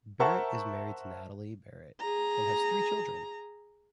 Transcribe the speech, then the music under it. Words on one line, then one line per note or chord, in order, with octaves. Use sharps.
Barrett is married to Natalie Barrett and has three children.
A#4 C5 E5 F#5 A5 C#6
G#4 A#5